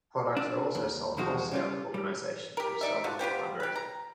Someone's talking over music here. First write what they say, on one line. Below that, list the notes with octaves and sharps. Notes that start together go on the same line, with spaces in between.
Products are also sold wholesale to organizations who sell them for fundraising.
D4
D#2
B1 E2 F3 G#3 D#4 F#4
C#3 G3 F4
G3
G4 A#4
D#4 D5 E5
D4 F4 F#4
B3 F4 G4 C5
G4 B4
A#5